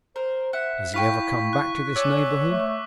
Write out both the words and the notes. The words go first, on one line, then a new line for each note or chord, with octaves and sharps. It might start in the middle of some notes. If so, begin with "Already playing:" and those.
"Does he ever come back to this neighborhood?"
A#4 C5
E5 F#5
E4 F5 G5 C#6 B6
F#6
C#5 D5 F#5 G#5 D6 E6
A3